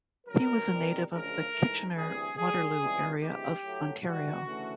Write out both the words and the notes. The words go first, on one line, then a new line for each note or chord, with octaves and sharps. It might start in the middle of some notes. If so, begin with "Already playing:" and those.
He was a native of the Kitchener-Waterloo area of Ontario.
C#2 B2 F#3 A#4
E2 C3 D#3 G3
D2 C#3 F3 G#3 A#4
G#2 E3 A3
D2 C3 E3 G3 G#4
D2 D3 G3 G#4
C#2 C3 E3 G3
D2 C3 E3 G#3 G4
A2 F#3 A3
G#2 E3 G3 F#4
D2 C#3 E3 A3